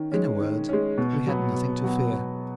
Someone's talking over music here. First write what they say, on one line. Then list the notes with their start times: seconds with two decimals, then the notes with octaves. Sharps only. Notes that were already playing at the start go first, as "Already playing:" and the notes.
In a word, we had nothing to fear.
Already playing: D#3 C#4
0.12 G#3 C#4
0.40 D#3
0.69 G#3 C#4
0.98 B2
1.27 F#3 B3
1.55 B2
1.84 F#3 B3
2.13 B2